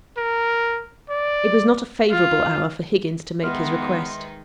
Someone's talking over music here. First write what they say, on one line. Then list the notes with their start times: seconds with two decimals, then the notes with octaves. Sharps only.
It was not a favourable hour for Higgins to make his request.
0.17 A#4
1.10 D5
2.09 F4
3.43 D#3 G#3 B3 D#4 B4 E5 C6 F6